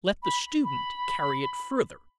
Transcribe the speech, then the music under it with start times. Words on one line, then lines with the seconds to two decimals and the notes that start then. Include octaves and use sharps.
Let the student carry it further.
0.23 B5
0.64 B5